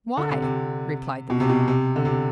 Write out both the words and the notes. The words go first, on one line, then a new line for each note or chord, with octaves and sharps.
"Why?" replied the Minnow.
D3
C3
C3
B2
C3
B2
C3
D3
C3